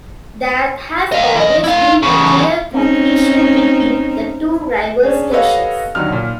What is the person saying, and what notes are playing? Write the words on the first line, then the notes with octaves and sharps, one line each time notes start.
There has always been a clear competition between the two rival stations.
D#5 F5
E3 D#5
E4 F5
E2 C#3
C4 C#4 D#4
C#4 D4 G#4
B3 G4 A4 C#5 D#5 F5
D#2 D3 F#3 D#4 F6
B1 A#2